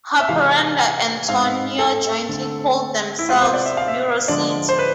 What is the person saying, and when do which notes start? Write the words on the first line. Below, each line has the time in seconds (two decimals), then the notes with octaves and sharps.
Haparanda and Tornio jointly call themselves "EuroCity".
0.20 E5
0.28 C3 E3 G#3 F5
0.79 G#5
1.28 G#2 G#3 C4 F5
1.79 A4
2.28 D3 A3 C4
3.19 E4
3.29 C3 G#3 C4 F4
3.42 C5
3.54 D5
3.66 E5
3.77 F5
3.88 E5
4.28 D3 F3 G#3 D4 D5
4.69 C5
4.79 B4